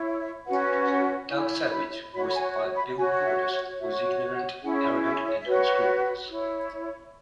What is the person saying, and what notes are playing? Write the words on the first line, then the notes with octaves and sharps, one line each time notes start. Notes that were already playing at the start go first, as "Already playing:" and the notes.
Doug Savage, voiced by Bill Braudis, was ignorant, arrogant and unscrupulous.
Already playing: E4 C#5
E5
C#4 F#4 B4 F#5
F#5
E4 C#5 G#5
B5
F#4 C#5 B5
B5
G#5
C#6
B5
F#4 C#5 G#5
F#5
E5
C#5
C#5
F#4 C#5 E5
F#5
F#5
C#4 E4 G#4 F#5
B5
E5
C#5
E5
F#4 B4 C#5
E4 C#5